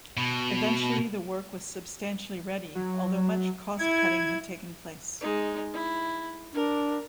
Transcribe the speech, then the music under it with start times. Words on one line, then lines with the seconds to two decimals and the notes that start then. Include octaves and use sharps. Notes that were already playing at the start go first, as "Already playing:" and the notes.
Eventually the work was substantially ready, although much cost-cutting had taken place.
0.17 B2
2.75 F#3
3.79 E4 G#6
5.21 G#3 D#4
5.73 E4
6.54 D4 A#4